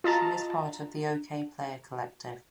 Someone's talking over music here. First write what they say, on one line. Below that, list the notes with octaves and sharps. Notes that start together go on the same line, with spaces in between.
She is part of the Okayplayer collective.
F4 D#5 A5 A#5